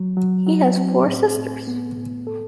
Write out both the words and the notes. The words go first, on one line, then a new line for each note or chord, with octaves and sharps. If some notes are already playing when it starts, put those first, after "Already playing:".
He has four sisters.
Already playing: F#3
F#3
F#3
C4
A2
A2
B3
A2
A4